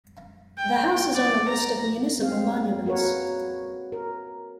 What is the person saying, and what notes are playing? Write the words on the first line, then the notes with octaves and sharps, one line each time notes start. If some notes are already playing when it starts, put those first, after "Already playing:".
The house is on the list of municipal monuments.
G5
D5
A#5
G3 C4 G#4 F5
A#3 F#4 A#4 B4 C#5
A#4